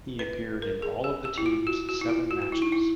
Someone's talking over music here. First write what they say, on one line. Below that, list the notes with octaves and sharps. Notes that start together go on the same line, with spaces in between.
He appeared in all of the team's seven matches.
B4
A#4
G#4
G4
G4
E4
F4
F#4
F#4
E4
F4
F#4
F#4
E4
D#4
E4